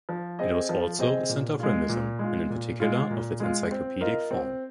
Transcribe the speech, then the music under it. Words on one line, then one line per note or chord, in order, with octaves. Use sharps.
It was also a centre of Ramism, and in particular of its encyclopedic form.
F3
C4 G#4 D#5
F3
C4 G#4 D#5
A#2
G#3 F4
A#2
G#3 F4
A#2
G#3 F4
A#2
G#3 F4
C4
F4 A#4 D#5
C4